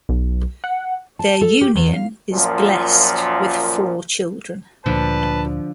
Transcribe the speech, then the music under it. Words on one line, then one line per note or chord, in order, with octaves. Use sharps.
Their union is blessed with four children.
B1
F#5
A5
A4
G4
E2
F5
F#2 A#2 F3
D2 A#2 D3 F3 B4 A5